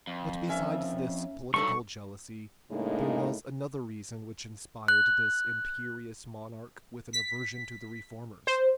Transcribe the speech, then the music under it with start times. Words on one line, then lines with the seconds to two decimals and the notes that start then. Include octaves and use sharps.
But besides this political jealousy, there was another reason which inspired this imperious monarch with an aversion to the reformers.
0.07 F2
0.48 D#2 C#4 E5
1.54 G2 F#3 D#4 A4 A5 C#6
2.70 A2 C#3 G#3 A#3 D4 D#4
4.88 F#6
7.13 B6
8.47 C5